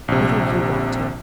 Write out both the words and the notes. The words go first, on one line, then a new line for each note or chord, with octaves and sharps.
"What are you wanting?"
A#1 C3